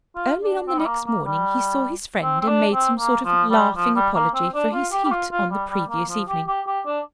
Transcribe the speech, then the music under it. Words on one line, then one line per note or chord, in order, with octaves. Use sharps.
Early on the next morning he saw his friend and made some sort of laughing apology for his heat on the previous evening.
F4
D4
C4
G3
A#3
A#3
G3
C4
C4
D4
C4
A#3
F3
G3
F3
G3
A#3
C4
D4
F4
G4
G4
F4
F4
G3
G3
A#3
F3
G4
G4
G4
D4